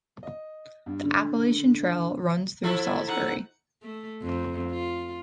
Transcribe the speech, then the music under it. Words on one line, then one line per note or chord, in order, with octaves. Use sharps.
The Appalachian Trail runs through Salisbury.
D#5
G2
D3
F3 E4 A4
D#4 F#5
A3
F2
F4